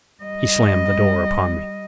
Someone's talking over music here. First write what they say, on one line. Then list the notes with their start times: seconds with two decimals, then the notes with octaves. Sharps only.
He slammed the door upon me.
0.23 G3 D#5